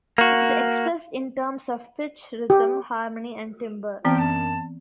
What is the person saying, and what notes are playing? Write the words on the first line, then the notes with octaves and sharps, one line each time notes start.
It is expressed in terms of pitch, rhythm, harmony, and timbre.
A#3 F#4
G4
E3 B3 C4 F4 C5 G5
F#2 A5